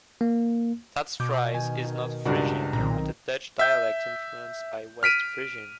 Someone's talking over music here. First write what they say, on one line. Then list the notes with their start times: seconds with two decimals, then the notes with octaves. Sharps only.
Stadsfries is not Frisian, but a Dutch dialect influenced by West Frisian.
0.21 A#3
1.20 B2 D6 G6
1.55 D#3 G#5
2.25 C#2 G2 F#4 A#4 D5
2.73 B1 A#2 D#3 C4 A#5
3.59 E5 G6
5.03 F6 B6 D7 D#7